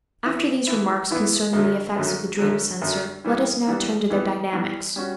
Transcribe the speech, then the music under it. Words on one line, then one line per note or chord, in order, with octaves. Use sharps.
After these remarks concerning the effects of the dream censor, let us now turn to their dynamics.
E3 B3 E4
E3 B3 E4
E3 B3 E4
F#2 D3 F#3
F#2 D3 F#3
F#2 D3 F#3
F#2 D3 F#3
E3 G3 B3
E3 G3 B3
E3 G3 B3
E3 G3 B3
G3 C#4 F#4